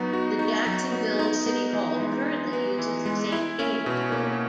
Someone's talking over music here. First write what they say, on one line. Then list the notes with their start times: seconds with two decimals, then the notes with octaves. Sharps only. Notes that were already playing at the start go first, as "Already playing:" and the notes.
The Jacksonville City Hall currently uses the Saint James Building.
Already playing: F#3 B3 D#4 F#4
0.13 F#4
0.39 D#4
0.67 F#3
0.92 B3
1.19 D#4
1.46 B3
1.73 E3
2.00 G#3
2.26 D#4
2.53 B3
2.79 E3
3.06 G#3
3.32 E4
3.59 C#4
3.86 B2
4.12 A#3